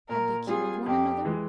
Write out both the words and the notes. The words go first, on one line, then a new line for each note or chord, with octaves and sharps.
Had they killed one another?
A#2 A#4
G3 C4 F4 G#4
F2 G4
E3 G#3